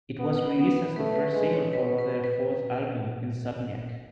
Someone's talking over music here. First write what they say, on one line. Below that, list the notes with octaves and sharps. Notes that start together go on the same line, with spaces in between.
It was released as the first single from their fourth album, "Insomniac".
B3
B3
A3 B4
B4
G#3 B4
C#5
B2 B4
B4
B4